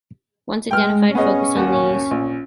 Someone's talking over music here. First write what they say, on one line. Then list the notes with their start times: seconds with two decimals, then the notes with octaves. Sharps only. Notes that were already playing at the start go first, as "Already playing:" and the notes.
Once identified focus on these.
0.71 G#3 G5 F6
1.15 B3 C#4 G#4 D#5
1.55 D#2 F#4
2.11 A#1